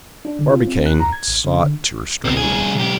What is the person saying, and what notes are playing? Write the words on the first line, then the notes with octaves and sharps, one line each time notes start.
Barbicane sought to restrain them.
D4
D3
F4
C4
F#6
A#5
G#6
A1
C#3
D3
B2 C4
C2 G#4
B1 G4